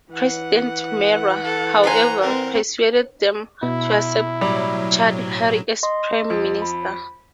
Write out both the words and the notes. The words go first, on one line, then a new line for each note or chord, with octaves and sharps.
President Mara, however, persuaded them to accept Chaudhry as Prime Minister.
E3 F#5
A4
B4 C5 G#5 A#5
C4 A#4
B2 E4
A2 F#3 G3
D#5 C6
F2
B5